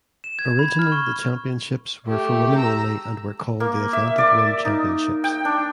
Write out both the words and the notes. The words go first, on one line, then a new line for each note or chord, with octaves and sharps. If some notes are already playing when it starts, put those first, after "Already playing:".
Originally the Championships were for women only and were called the Atlantic Rim Championships.
E7
G#6
B5
F6
C#6
A3 G4
A#5 E6
A#3
E5
D5
D#4
G5
D4